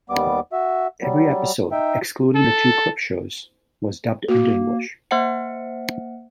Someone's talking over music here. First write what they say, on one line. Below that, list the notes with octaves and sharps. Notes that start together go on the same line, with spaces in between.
Every episode excluding the two clip shows was dubbed into English.
D#2 G3 B3 D6
F#4 E5
F#3 G3
D#4 E5 G5
A4
A#3 F#4
A#3 C5 E5 F#5 C#7